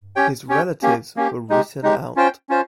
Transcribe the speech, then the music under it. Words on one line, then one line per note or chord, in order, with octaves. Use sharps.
His relatives were written out.
C#4 G4 C#5 G5
C#4 G4 C#5 G5
A#3 C#4 G4
A#3 C#4 G4
G#3 D#4 G4
G#3 D#4 G4
C#4 F4 C5 G5
C#4 F4 C5